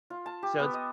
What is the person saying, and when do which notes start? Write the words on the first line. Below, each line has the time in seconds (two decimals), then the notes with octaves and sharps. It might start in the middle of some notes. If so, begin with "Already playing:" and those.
So, it's
0.10 F4
0.26 A5
0.43 G4
0.60 B3
0.74 D#5